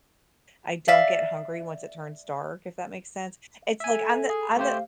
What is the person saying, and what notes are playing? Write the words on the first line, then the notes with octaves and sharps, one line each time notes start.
I don't get hungry once it turns dark, if that makes sense. It's like, I'm the I'm the
D5 E5 F5
E5 G#5
A4
G#4
A3 G4 C5 F5